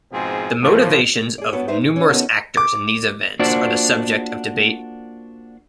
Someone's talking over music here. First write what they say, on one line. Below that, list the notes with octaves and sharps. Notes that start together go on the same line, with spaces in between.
The motivations of numerous actors in these events are the subject of debate.
G#2 B2 F3 C4 G#4
A2 F3
G#4 D5
B3 D4 F#4 B4 C#5
D#4 B4 C5 D5 E5
A#2
C#4
D#3 B3 C#4 F#4 A4 D#5
D6
A#3 D4 F4 F#4 C5 D5